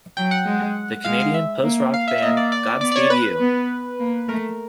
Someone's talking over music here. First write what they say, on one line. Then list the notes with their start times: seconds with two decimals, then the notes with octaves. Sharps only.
The Canadian post-rock band Godspeed You!
0.17 F#3 G5
0.31 F#5
0.45 G#3
1.05 G#3 F5
1.20 F5
1.34 E5
1.63 A#3
1.94 F5
2.08 E5
2.18 E5
2.22 A#3 D#5
2.37 D5
2.52 D5
2.67 D5
2.81 B3 D5
2.92 D5
2.96 C#5
3.10 B4
3.40 B3
4.00 A#3
4.28 A3 A#4